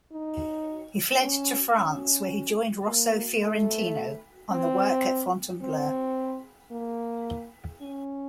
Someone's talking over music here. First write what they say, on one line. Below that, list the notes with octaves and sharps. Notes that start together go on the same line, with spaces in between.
He fled to France where he joined Rosso Fiorentino in the work at Fontainebleau.
D#4
C#4
C#4
A#3
A3
C4
C4
A#3
C#4